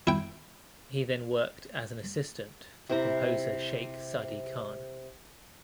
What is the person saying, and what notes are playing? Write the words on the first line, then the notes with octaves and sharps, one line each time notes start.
He then worked as an assistant for composer Sheikh Sadi Khan.
E4 G5
C3 E4 C5 A#5